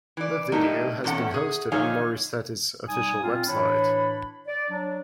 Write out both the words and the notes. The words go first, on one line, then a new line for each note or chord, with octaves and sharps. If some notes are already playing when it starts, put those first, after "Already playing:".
The video has been hosted on Morissette's official website.
E3 D5
A2 G3 A3 A#3 D#4
E2 C3 C#4 A4 F#5
G#4
D3 F3 D#4 C#5 F5 G#5
G3 D#4 G#5 D#6
A#2 C4 F4
A2 E3 D4 C#5 B5
D5
F#3 D4